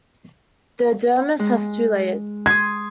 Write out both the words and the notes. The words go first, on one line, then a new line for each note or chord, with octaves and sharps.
The dermis has two layers.
G#3
C6 D#6 G#6